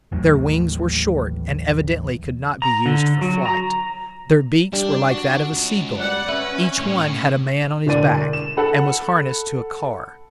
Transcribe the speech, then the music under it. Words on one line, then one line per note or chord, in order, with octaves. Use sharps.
Their wings were short, and evidently could not be used for flight; their beaks were like that of a sea-gull; each one had a man on his back, and was harnessed to a car.
A1 D#2 A2 F#3
A#5
D3
F#3
A#5
G3 D4
F#4
C#2
G3 D5 F#5
C#4 B4 E5
A2 C#5
E1 A2 D3 D5 D#7
E7
A4 F#5 B5